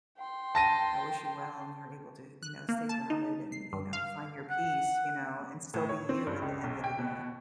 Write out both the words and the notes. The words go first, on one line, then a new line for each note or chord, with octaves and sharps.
I wish you well and you're able to, you know, stay grounded and, you know, find your peace, you know, and still be you at the end of the day.
G5 C6
A5 A#6 D#7
F#6
A#3
A5
D#4
C7
G2
F5
F#5
A2
C#5
C4
G2
C#2
B1
G5
B2